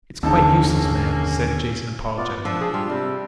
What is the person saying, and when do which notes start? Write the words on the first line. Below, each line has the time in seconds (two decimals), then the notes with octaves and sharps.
"It's quite useless, ma'am," said Jason apologetically.
0.23 F#1 D#2 D3 A#3 C#4 D#4 A4 A5
2.18 B3 F4 D5
2.45 F3 D4 E6
2.61 G#4
2.74 G3 F4
2.90 C3 G3